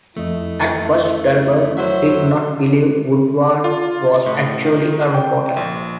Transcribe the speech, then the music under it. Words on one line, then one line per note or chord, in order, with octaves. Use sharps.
At first, Dahlberg did not believe Woodward was actually a reporter.
F2 A3 E4 D#5
F#3 C5 E5
F4
A2
D#3
G5
A#1